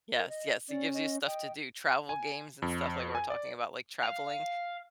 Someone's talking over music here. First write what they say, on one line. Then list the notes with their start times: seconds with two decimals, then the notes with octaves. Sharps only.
Yes, yes, he gives you stuff to do, travel games and stuff like, we're talking about, like traveling.
0.15 A#4
0.29 D#5
0.69 C#4 D5
0.94 D#5
1.27 D#5 G5
2.09 G#5
2.62 F2
3.15 G#5
3.30 D5
4.04 F5